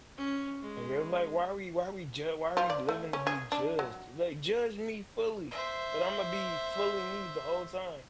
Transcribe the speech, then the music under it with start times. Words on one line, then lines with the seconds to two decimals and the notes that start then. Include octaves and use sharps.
And they're like, "Why are we why are we ju why are we living to be judged?" Like, judge me fully, but I'm gonna be fully me the whole time.
0.17 C#4
0.62 G#3
2.57 F3
2.70 D5
2.89 A3
3.13 C#4
3.27 G#4
3.52 D4
3.79 F#3
5.51 C5 E5